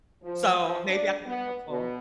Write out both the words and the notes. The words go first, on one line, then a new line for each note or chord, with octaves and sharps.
so maybe I can be more helpful.
F3
F3
D4
B3
B2